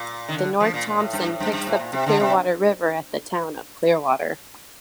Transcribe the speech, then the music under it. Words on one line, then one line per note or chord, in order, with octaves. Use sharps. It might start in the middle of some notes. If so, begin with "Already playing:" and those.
The North Thompson picks up the Clearwater River at the town of Clearwater.
Already playing: A#2
D#3
D3
F3
A#2
A#2
A2
G2
A2
G2
G2
A2
A#2
C3
D3
C3